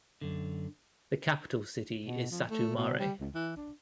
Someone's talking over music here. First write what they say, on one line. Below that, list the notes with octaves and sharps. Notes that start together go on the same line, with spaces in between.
The capital city is Satu Mare.
F#2 D3
B2
F3
A3
B2
G3
C#2
E3
D4